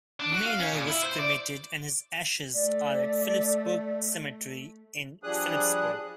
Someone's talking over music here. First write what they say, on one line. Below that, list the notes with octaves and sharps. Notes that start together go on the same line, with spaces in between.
Meyner was cremated and his ashes are at Phillipsburg Cemetery in Phillipsburg.
D4
F#4
F5
C#4
A#2
E4
C5
D5
A3 D5
F3 G3 D4 G#4 D#6 F#6